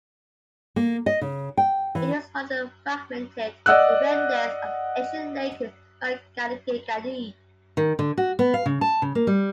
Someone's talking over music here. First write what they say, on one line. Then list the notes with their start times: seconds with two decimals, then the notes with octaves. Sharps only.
It is one of the fragmented remnants of the ancient Lake Makgadikgadi.
0.76 A#3
1.06 D#5
1.21 C#3
1.57 G5
1.95 E3
3.66 D5 D#5 F#5 E6 F#6
7.77 D#3
7.99 D3
8.17 F#4
8.39 B3
8.54 F5
8.66 C#3
8.81 A5
9.02 C#3
9.15 A#3
9.27 G3